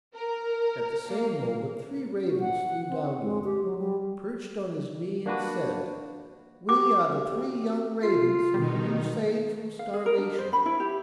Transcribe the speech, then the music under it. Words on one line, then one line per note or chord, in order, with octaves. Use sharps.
At the same moment three ravens flew down to him, perched on his knee and said, 'We are the three young ravens whom you saved from starvation.
A#4
A#3
F#4
F#5
C4
G#3
G4
F#3
G3
A#3 D4 F#4 B4
F#4 G4 D6
F4 C7
B2 D#3 G3 D#4
F5
G#4
A#4
D4
C5
B5
E4
G4